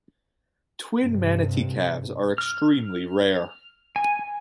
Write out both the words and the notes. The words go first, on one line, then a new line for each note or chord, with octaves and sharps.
Twin manatee calves are extremely rare.
G2 C3
F6
G#5